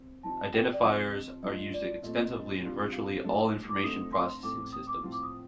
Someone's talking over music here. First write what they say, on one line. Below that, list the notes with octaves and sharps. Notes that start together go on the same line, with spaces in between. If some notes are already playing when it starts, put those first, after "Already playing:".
Identifiers are used extensively in virtually all information processing systems.
Already playing: C4
C3 F3 C4 D#4 A5
G5
D5
C3 F3 C4 D#5
F3 A3 D4 F4 D#5
D5
A#2 A3 C4 D#5
D#5
D#5
C3 G3 D4 F4
F5
F3 A3 D4
D6
D3 A3 C4 D#4 D#6
C6
A2 A3 C4 D6
D#6
D6
A2 F3 C4 F4
D6
D#6